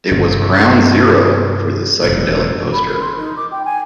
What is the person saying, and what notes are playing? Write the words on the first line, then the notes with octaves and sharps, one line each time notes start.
It was "ground zero" for the psychedelic poster.
G1 A#2
G2 C3
E1 F#2 A2
B5
A#4
C6
D#4
D6
G5
G#5